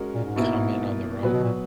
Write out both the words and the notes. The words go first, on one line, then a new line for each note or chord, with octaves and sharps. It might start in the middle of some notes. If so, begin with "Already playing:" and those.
come in on their own,
Already playing: G#3 C#4 F#4 A#4
A#2
G#2
B2 A#3 E4 A#4
A#2 F#3 B3 F#4 B4
B2
A#2